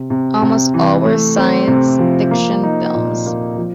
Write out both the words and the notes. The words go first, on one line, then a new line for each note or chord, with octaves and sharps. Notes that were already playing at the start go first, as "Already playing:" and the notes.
Almost all were science fiction films.
Already playing: C3
C3
C3
E3
A3
C4
C3
F3
A#3
D#4
A#2
A#3
F3